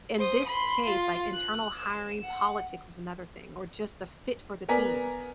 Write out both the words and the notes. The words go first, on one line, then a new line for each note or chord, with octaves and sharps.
In this case, like internal hiring politics is another thing or just the fit for the team,
C5 D#6
B5 C6
F4
F#6
E7
F#5
B3 A#4 D5 G#5 A#5 B6